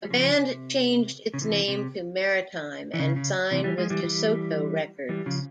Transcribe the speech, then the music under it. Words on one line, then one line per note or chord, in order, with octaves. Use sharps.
The band changed its name to Maritime and signed with DeSoto Records.
G3
C#3 F3
C3
C#3
C3 E3
C3
E3
C#3
C#3
C3 E3
E3 G3
F3 G#3
E3 G3
E3 G3
E3 G3
C#3 F3